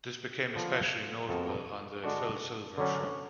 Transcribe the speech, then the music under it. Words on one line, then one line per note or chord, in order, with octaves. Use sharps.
This became especially notable on "The Phil Silvers Show".
D3 F3 B3 F4 A4
F2 F3 B3 F#4 A4
D3 G#3 D4 F#4 A4
D3 F#3 C#4